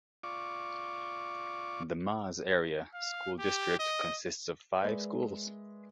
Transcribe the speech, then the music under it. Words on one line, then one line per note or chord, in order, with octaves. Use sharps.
The Mars Area School District consists of five schools.
F4 D5 C#6 D6
F5
G4
D#5
G#3 A#4 B4 D5 E5